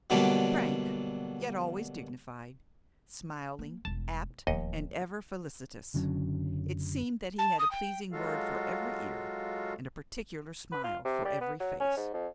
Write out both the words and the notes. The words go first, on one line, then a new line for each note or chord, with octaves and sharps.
Frank, yet always dignified, smiling, apt, and ever felicitous, it seemed that he had a pleasing word for every ear, and a particular smile for every face.
B2 D3 F#3 G3 A#3
A#3
E1 G3 A5
D1 D#2 F3 D#5
F#1 D3 F#3 C#4
A5
D#6
G5
F#3 G#3 F4 F#4 A4 F5
B4
F4
C3
G3
B3
F#3
C#4
G#2
F2